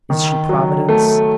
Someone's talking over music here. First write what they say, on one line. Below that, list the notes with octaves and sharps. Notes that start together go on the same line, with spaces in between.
Is she Providence?
D#3
F#3
A3